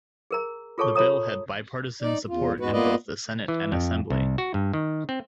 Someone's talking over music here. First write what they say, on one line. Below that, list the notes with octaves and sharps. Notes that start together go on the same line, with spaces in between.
The bill had bipartisan support in both the Senate and Assembly.
G#4 A#4 A#5
F4 G#4 A4 C#5 A5 C#6
F4 A4 C#5 A#5 D#6
D#4 D5
E2 F4
E2 G#2 G#3 B3 F#4 B4
A#3 B3 F4 B4 D5 D#5
E3
F2
C2
F#4
G2
D#3
C4